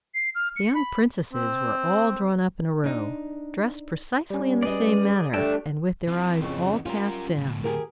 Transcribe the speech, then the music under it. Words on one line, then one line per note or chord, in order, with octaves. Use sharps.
The young princesses were all drawn up in a row, dressed precisely in the same manner, and with their eyes all cast down.
C7
F6
C#7
B5
C4
D4 D#4
G3 C#4
G#4 B4 D5 D#5
G3 A3 D4 G5 A5 E6
E3 C4
F2 C#3 C#4
G3 C#4 F4 A#4
D2 A2
G4 G#4 A#4